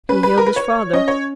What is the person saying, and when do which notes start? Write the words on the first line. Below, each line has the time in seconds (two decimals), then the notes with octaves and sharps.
He hailed his father.
0.09 C#4 B4
0.23 B4
0.38 A#4
0.46 B4
0.56 C#5
0.93 C#4 D#5
1.08 C#5